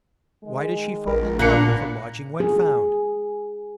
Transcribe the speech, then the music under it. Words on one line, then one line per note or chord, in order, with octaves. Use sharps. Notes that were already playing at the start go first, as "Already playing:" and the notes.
Why did she fall in love with the lodging when found?
D#3 G#3
A#1 A#4
A#2 A#3 B3 D4 F#6 C#7
G#4